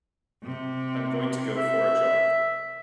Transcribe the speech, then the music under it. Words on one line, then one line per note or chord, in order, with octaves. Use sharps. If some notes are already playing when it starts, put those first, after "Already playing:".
I'm going to go for a jog.
C3
E5